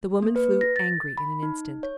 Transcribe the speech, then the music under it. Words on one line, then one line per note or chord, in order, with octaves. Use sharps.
The woman flew angry in an instant.
A#3
B4
A#6
A6
B5
D#4
C#5